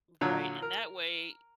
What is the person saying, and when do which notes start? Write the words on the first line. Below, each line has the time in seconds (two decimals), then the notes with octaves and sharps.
Right, and that way,
0.21 A#2 D3 F#3
0.62 A#4